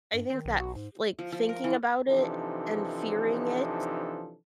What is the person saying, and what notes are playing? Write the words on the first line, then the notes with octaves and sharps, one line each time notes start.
I think that, f like, thinking about it, and fearing it,
G2
D#3 C4
B1
F#4
G#2
F3
F3
A#4
E3
C3 E3 F3 D4 D#4 A4